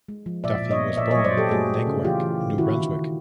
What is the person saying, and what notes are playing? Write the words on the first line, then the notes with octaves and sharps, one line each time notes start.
Duffie was born in Neguac, New Brunswick.
G#3
F3
A#2 D5 E5
A#2
C#5 D#5
B3
A#2 D5 E5
C#5 D#5
F#3
C5 D5
A#2 G4 A4
A3 F#4 G#4
A3
C#3
E3 F4 G4
E3
C#3
D#3 E4 F#4
D#3
D#3